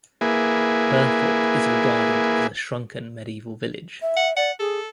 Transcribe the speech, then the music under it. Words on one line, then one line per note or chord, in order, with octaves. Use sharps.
Birthorpe is regarded as a shrunken medieval village.
A#3 E4 G#4 B4
E5
F#5
D5 F#5
G#4 A4